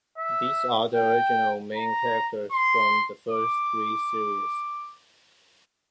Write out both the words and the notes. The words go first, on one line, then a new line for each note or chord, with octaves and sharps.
These are the original main characters from the first three series.
E5
G5
A#5
C6
D6